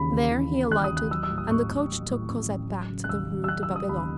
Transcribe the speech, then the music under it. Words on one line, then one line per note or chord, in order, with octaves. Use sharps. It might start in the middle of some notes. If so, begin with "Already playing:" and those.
There he alighted, and the coach took Cosette back to the Rue de Babylone.
Already playing: D#2 C#3 E3 B5
D#2
E3
C#3
D#2 F#6
D#6
D#2
F#6
F#3 E6
E6
A2
D#6
A1 C#6
A1
F#3
A2
A1
A1
F#3
C#3
F#6
D#2 E6
D#2
E6
F#3 F#6
E6
C#3
D#6
D#2 B5